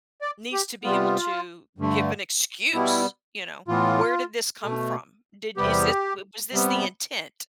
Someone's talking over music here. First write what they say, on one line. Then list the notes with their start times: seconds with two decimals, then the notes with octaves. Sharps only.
needs to be able to give an excuse, you know? "Where did this come from? Did is this w was this the intent,"
0.21 D5
0.53 G4
0.84 C3 G3 B3 F4
1.78 G2 D3 A3
2.73 B2 G3 B3 E4
3.68 A2 E3 B3 F4
4.62 B2 A3
5.57 E2 C3 G3 B3 G4
6.52 C3 G3 B3